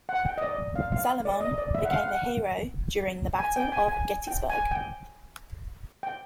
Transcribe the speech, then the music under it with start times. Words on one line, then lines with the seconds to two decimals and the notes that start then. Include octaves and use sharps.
Salomon became a hero during the Battle of Gettysburg.
0.09 F#5
0.25 G5
0.38 D#5
0.43 D5
0.76 F5
0.92 F5
1.25 D5
1.41 D#5
1.58 D5
1.75 E5
1.85 F#5
1.91 F5
2.08 F#5
3.39 G#5
3.56 G5
3.72 G#5
3.88 G#5
4.27 G5
4.50 G#5
4.71 G5
6.03 G5